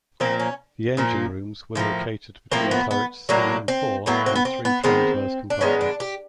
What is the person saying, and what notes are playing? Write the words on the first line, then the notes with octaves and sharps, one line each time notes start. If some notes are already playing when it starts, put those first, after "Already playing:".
The engine rooms were located between turrets three and four in three transverse compartments.
A#2 F3 A#3 C4
C#4
A#2 F3 A#3
A2 F3 A#3
A2 F3 A#3 C4
B3
B3
A2 F#3 A#3 D4
C4
A2 F#3 A#3 B3
C4
B3
C4
B3
D#3 G#3 B3 C4
D4
D#3 G#3 B3 C#4
D4
G4